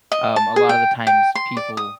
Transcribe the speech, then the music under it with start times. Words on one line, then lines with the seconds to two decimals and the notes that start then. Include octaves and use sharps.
um, a lot of the times, people
0.12 D#5
0.36 A5
0.56 G#4
0.69 G5
1.07 G5
1.35 C6
1.57 D5
1.77 D#6